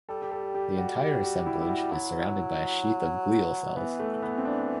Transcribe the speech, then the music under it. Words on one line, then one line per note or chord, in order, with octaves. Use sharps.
The entire assemblage is surrounded by a sheath of glial cells.
G3 A4
G4
A4
G4
F#4
G4
F#4
E4
E4
F#4
F#3 E4
E3 B3
A3
B3
C4
D4